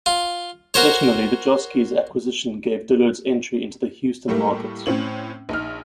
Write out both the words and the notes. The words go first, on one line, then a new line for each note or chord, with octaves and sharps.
Additionally the Joske's acquisition gave Dillard's entry into the Houston market.
F4
F#4 A#4 C5 C#5
A2 G3 A3 A#3
A2 C4 C#4 F#7
A#1 D#4 F6